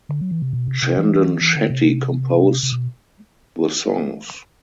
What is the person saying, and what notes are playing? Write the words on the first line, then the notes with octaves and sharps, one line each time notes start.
Chandan Shetty compose the songs.
D3
F#3
E3
C3
B2
C3
C3
E3
E3
D3
C3
C3
B2